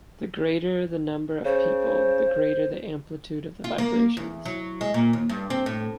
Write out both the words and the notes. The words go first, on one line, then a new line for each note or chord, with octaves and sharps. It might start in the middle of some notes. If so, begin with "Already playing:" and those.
The greater the number of people, the greater the amplitude of the vibrations.
C#3 C5
F4
A#3
E2
F#3
G#3
A#2
D#2
G2
C4
A2